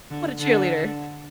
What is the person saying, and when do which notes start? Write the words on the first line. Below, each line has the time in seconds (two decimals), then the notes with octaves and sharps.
What a cheerleader.
0.11 D3
0.39 D3